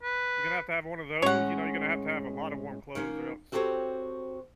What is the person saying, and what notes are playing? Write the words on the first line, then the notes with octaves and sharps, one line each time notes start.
You're gonna have to have one of those, you know, you're gonna have to have a lot of warm clothes or else
B4
A2 G#3 C#4 C#5 F#5
D#3 A#3 C#4
C4 F#4 G4 A4 C5 C#5